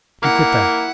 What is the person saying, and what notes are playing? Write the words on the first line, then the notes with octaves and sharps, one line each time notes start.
"You quit that!"
A#3 E4 F#5